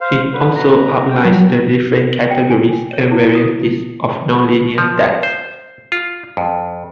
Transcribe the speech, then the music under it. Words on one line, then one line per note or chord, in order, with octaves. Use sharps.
He also outlines the different categories and varieties of nonlinear texts.
C5 F5
D3 B4
B2 B4 A#5
G5
F#3
G5
G#5
C#5
E4
D#6
F3
C5
F4
F2